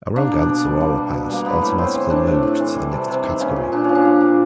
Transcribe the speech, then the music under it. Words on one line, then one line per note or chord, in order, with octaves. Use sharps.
A wrong answer or a pass automatically moved to the next category.
A#3 D4
B2
B2
G3
A#3
B2
B2
G3 A#3
A3 B3
A2
A2 C4
E3
A3 D4
A2
A2
E3
G3
C3
C3
D#3
A#3 C#4
A#2
A#2 D4
F3 C#4
D4
A#3
A#2